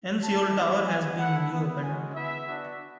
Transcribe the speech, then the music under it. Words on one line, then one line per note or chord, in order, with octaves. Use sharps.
N Seoul Tower has been re-opened.
A3 E4 A5
G#3 B3 E4
G#3 B3 E4 G#5
A3 E4 F#5
B3 E4
G#3 C#4 F#4 G#5
B3 E4 E5
B3 D4 F#4